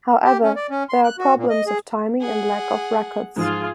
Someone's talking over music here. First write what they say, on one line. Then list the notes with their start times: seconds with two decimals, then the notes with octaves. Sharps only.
However, there are problems of timing and lack of records.
0.25 G4
0.44 C#4
0.56 D5
0.70 C#4
0.89 C6
1.04 F#6
1.19 F#4
1.37 A#2
1.50 D#5
1.67 G#4
2.21 G#4 F#5
3.36 G#2 F3 F4 G#4